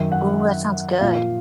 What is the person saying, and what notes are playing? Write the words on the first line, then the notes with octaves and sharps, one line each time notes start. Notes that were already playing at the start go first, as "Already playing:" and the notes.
Ooh, that sounds good.
Already playing: F#2 D#3 E5
F#5
A#2 F3 F5